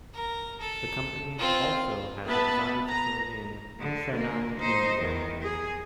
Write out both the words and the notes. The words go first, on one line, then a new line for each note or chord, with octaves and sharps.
The company also has a design facility in Chennai, India.
A#4
A4
C4 F4
B3 B4 E5 A5 B5
A#5
D3
A#3
D#4 C5
E2 D#3
G#4